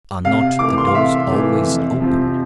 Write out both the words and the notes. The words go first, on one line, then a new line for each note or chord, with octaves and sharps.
Are not the doors always open?
C3 F5
E3 A3 D6
C6
F5
C3 E5
E3 A3
F2
C3 F3 C4